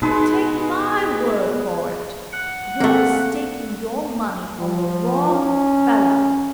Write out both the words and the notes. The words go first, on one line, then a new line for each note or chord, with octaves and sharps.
Take my word for it, you're staking your money on the wrong fellah.'
B2 G#3 D#4 G#4 B4 A5 C6
F#5
A3 A#3 C4
F3
C#4